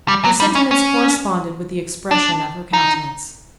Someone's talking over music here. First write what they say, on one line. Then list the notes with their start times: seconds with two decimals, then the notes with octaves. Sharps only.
Her sentiments corresponded with the expression of her countenance.
0.08 G3
0.24 F#3
0.40 G3
0.55 C#4
0.71 C#4
2.11 D4
2.73 D#4